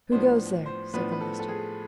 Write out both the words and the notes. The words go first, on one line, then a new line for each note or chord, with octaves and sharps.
"Who goes there?" said the master.
A2 F3 B3 D4 C5
C5
A2 F3 B3 D4 B4
B4
A4
A4
G#4